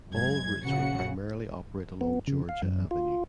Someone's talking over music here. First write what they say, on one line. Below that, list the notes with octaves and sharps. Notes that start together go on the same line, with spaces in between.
All routes would primarily operate along Georgia Avenue.
F#2 G#3 G#6
A#1 C#3 F#4 F#5 C#7
B3
C#3
F5
F#2
F4